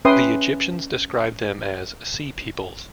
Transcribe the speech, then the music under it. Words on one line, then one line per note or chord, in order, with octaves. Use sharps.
The Egyptians described them as Sea Peoples.
C#4 B4 E5 G5 C6 D#6